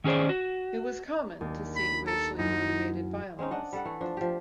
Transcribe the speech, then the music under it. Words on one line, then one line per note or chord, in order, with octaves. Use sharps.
It was common to see racially motivated violence.
D#3 C#4 G#4 C5 D5
F#4
D#2 D4
B5
A4 A#5
F#2 D#4 E4 G6
G#3 C4 C#4 D#4
D4 D#5 F#5
G3 A4 F#5
E3 A3
F3 D4
F3 G4